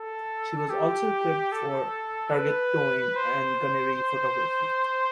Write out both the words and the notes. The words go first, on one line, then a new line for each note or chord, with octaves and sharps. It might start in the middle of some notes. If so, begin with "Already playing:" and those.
She was also equipped for target towing and gunnery photography.
Already playing: A4
G4
A4
B4
C5